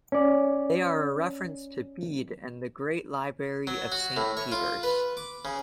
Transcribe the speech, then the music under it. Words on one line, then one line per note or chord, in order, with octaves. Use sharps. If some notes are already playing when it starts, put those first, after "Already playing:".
They are a reference to Bede and the "Great Library" of Saint Peter's.
C#4 D5
F#3
F#4
A2
C#5
F4
B4
D6
C#3